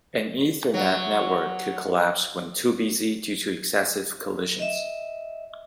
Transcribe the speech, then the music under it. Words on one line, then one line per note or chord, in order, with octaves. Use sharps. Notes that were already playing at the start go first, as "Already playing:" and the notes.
An Ethernet network could collapse when too busy due to excessive collisions.
F#3
D#5 E5